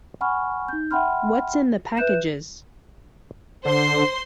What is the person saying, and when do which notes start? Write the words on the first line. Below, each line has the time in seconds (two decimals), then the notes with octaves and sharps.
What's in the packages?
0.21 F#5 G#5 B5 C#6 F6
0.69 D#4 G6
0.91 E5 F#5 G5 B5 C6 F6
1.97 B4 E5 F#6 G6 E7
3.65 D3 C5 C6